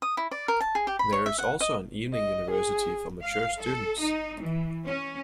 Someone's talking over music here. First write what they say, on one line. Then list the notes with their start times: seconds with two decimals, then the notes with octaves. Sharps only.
There is also an evening university for mature students.
0.02 D#6
0.17 E4
0.31 D5
0.48 A#4
0.61 A5
0.75 G#4
0.87 G4
0.99 B5
1.13 C#5
1.26 E5
1.38 F#5
1.60 D#5
2.13 D#5
2.50 G#4
3.22 F5
3.61 A4
4.00 D#4
4.40 E3
4.86 C#4